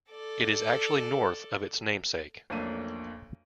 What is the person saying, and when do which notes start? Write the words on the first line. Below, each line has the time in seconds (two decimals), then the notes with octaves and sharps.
It is actually north of its namesake.
0.10 A4 D5
2.50 B1 F2 A3 A#3 D4 D#7